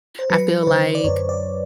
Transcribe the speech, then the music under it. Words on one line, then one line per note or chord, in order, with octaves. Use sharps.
I feel, like,
C5
F#3 B4
B4
D3 C5
D5
F#2 C#5
D5